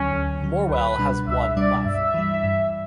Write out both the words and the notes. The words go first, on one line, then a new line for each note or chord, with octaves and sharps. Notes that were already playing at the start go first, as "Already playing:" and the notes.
Morwell has one platform.
Already playing: D2 D3 F#3 C#4
D2
D3 F#3
C#2 B4
B2 G3 D4
C#2 E5
B2 G3 D4 D5
G2 E5
E3 G3
G2